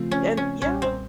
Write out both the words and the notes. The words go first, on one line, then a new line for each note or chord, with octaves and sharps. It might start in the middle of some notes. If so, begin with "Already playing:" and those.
And yeah.
Already playing: C#3 F3 A3 C4 F4
C#4
C#4
B1 A#2 G3 C#4
C4